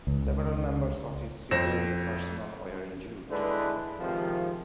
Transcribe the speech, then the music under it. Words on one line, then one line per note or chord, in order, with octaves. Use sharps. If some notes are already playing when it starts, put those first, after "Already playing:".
Several members of his security personnel were injured.
C#2
F2 C5 A#6 E7
G#1 D3 G#3 D4 E4 B4
G#2 C3 D#3 F3